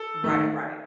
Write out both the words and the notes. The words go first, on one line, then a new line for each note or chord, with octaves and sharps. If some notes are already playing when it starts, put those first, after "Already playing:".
Right, right.
Already playing: A4
D#3 A3